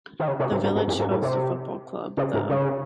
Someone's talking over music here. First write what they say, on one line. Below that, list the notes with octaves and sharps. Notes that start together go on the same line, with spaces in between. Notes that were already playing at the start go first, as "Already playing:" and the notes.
The village hosts a football club, the.
D#3
C#3
C3
G#2
G#2
G#2
F#2
G#2
A2
C3
C#3
G#2
C#3